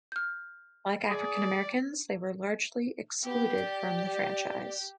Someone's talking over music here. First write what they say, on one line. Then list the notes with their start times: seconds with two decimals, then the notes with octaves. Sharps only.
Like African Americans, they were largely excluded from the franchise.
0.12 F6 G6
1.10 G#4 D5
3.25 B3 G4
3.58 D5